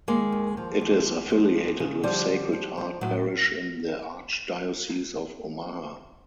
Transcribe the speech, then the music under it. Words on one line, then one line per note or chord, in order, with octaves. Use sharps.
It is affiliated with Sacred Heart Parish in the Archdiocese of Omaha.
D#3 G#3 A#3
D#2
F3
D#2
D#2
F3
E2
C#3
D3 F3 G3
F3
F3
F3
A2 F#3